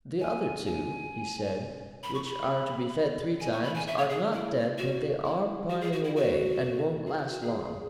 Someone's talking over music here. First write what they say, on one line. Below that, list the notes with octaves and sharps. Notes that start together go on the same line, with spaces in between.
'The other two,' he said, 'which are to be fed three times, are not dead, but they are pining away, and won't last long.'
G#5
G#5
B5
C#6
B5
G#5
C#6
B5
G#5
E5
C#5
G#4
E4
F#4
E4
F#4
G#4
F#4
E4
F#4
G#4
E4
F#4
G#4